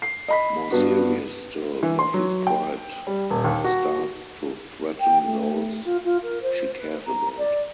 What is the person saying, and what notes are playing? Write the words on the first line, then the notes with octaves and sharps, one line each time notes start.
More serious still, Buffy's pride starts to threaten those she cares about.
C7
D#5 B5 B6
G2 B3 F#4
E3
C6
F#3
G5
G3
D#1
D#2
F#4
G5
A3
F4
F4
A#4
C5
B4
A#5
D5